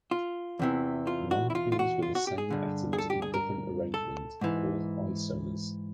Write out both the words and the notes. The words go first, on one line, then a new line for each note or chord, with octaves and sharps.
Molecules with the same atoms in different arrangements are called isomers.
F4
E2 C3 E3
F4
F#4
E4
F4
F4
F#4
F4
F#4
G4
G#4
G2 D3
G#4
A4
G4
G#4
A#4
A4
G#2 E3